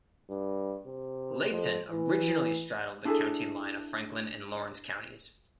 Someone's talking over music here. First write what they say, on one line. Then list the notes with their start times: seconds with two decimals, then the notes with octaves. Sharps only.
Leighton originally straddled the county line of Franklin and Lawrence Counties.
0.30 G2
0.87 C3
1.51 F2
1.91 E3
3.05 D4 E4 G#4 A4